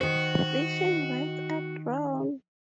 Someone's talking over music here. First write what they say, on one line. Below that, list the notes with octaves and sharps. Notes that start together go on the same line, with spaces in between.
Fishing rights are drawn.
D#3 F#4 C5